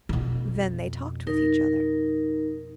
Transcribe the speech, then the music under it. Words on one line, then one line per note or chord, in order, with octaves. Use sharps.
"Then they talked with each other."
F2 B2
D#4 A#4